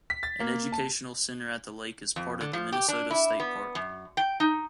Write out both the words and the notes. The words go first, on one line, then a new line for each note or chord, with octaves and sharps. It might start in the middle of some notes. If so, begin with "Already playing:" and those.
An educational center at the lake is part of the Minnesota state park.
B6
A6
A#3
A5
F2
D3
F3
G4
D4
E4
B3
F#2
G5
D#4